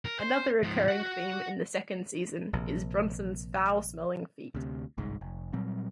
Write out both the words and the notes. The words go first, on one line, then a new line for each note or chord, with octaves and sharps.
Another recurring theme in the second season is Bronson's foul-smelling feet.
A#4
C5
G#2 F3
F#4 F#5
A#1 C3
D2 C3
G1 C2 G#2
F1
A#2 F#3 G3 C4